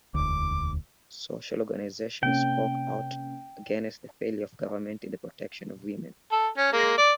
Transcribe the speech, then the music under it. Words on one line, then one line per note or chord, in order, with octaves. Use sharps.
Social organisations spoke out against the failure of government in the protection of women.
E1 D2 D6
C3 A#3 C#4 G5
A4
C#4
G#3 A#3
D5